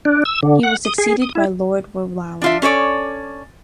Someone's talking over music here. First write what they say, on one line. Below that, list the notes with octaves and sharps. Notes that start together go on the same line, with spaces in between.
He was succeeded by Lord Rowallan.
D4
E6
D3
F#5
D#6
G#4
D#6
E4
D4 F4 E5
C#4 A4 C#5 D5